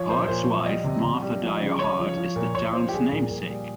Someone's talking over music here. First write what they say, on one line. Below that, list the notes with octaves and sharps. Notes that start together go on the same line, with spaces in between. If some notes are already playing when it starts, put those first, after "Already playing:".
Hart's wife, Martha Dyer Hart, is the town's namesake.
Already playing: F3 C#5
A#2 C5
A#2 C5
F3
G3 D#5
C3
C3
G3
F3
C#3
C#3 C#5
F3
F3
A#2
A#2 C#5
C#5
F3 C5
G4
G3 G#4
A#2
A#2
G3